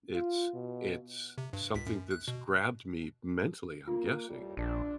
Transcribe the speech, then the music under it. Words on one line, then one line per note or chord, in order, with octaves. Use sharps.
it's it's something that's grabbed me mentally, I'm guessing.
F4
B2
C3
G2
C#2 B6
F#2
F#6
B2
A#3 F4
D#2 A2 G3
A#1 D4